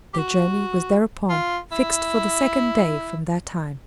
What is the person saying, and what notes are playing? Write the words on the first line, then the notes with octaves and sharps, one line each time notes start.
Their journey was thereupon fixed for the second day from that time.
G4
F#4
F4
E4